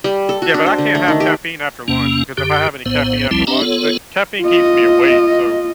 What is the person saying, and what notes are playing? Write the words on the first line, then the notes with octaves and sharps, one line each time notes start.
Yeah, but I can't have caffeine after lunch because if I have any caffeine after lunch, the caffeine keeps me awake. So,
G3
A4
F#4
D4
C5
D3
A3
D#3
G4
E2 C3 A#3 C#4
F#2 D3 G4
A#1 A2 B3 C5
A1 D2 F3 G3 C4 E4
C4 D4 G4 D#5 E5 A#5
B3 F4 A4 C#5
F4 D#5